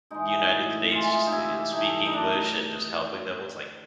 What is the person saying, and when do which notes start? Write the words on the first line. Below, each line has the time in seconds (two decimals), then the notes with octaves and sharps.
United States, just they didn't speak English and just helping them with, like,
0.11 E3 G#3 D#4
0.51 A2
0.91 E3 G#3 F4
1.26 D#4
1.32 C3 E4
1.72 E3 A3 D#4
2.06 D#4
2.13 C3 D4
2.33 D#4